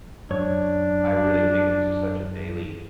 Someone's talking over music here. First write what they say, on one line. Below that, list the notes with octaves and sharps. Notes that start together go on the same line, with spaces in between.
I really think this is such a daily
F#2 D4 C#5